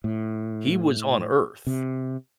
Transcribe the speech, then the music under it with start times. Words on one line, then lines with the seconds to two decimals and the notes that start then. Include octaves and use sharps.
He was on Earth.
0.04 A2
1.67 C3